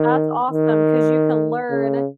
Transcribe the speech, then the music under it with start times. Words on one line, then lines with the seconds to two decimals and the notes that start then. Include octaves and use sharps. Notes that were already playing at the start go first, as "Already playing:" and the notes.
That's awesome, 'cause you can learn
Already playing: D#3
0.50 D#3
1.70 C#3